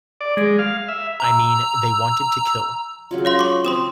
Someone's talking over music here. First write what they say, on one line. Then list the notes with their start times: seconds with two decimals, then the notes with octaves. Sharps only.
I mean, they wanted to kill.
0.21 D5
0.37 G#3
0.59 F5
0.88 E5
1.20 A#5 E6
3.11 C#3 F#3 F4
3.25 C#5 F5 C6
3.39 C#6 D6
3.65 C4 C6 D#6 E7